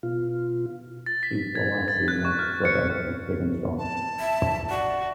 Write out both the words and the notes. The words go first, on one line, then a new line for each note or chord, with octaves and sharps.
Chief Wawasee, like his brother, was big and strong.
B2 F4
A6
B6
G#6
A6
F#6
C#6
F6
C#7
A5
F1 E5
F#4 D5